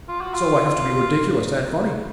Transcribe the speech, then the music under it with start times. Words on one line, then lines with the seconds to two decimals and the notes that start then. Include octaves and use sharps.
So I have to be ridiculous and funny.
0.08 F4
0.21 F#4
0.34 F4